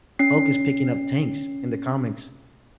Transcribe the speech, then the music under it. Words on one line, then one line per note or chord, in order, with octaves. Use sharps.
Hulk is picking up tanks in the comics,
C#4 C7